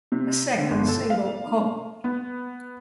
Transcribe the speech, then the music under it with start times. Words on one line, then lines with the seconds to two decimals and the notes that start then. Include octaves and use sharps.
A second single Oh!
0.12 C3
0.58 D3
0.71 G1
0.88 A4
1.10 F5
2.04 B3